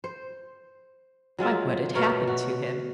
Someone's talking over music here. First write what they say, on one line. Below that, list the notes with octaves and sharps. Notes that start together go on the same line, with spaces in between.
Why, what had happened to him?
C5
F#3 G#3 F4 E5
B2 A3 A#4 C#5
F#4